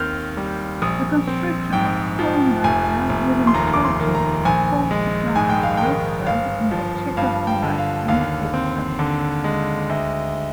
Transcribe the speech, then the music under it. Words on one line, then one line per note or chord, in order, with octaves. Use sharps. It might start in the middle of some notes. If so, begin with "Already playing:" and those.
The construction of columbaria within churches is particularly widespread in the Czechoslovak Hussite Church.
Already playing: D#2 D#3 C4 F6 G6
G3
A#1 D#6
C4
G#2 G5
F3
F1 G#5
F1
C6
D#2 A#5
D6
C6
D#3
A#5
A#1 G#5
G#3
G#2 G#5
G5
F5
D#3 G5
G1 F5
F3
G2 F5
G5
D3
F5
D#2 F5
C4
D3
G#3
D2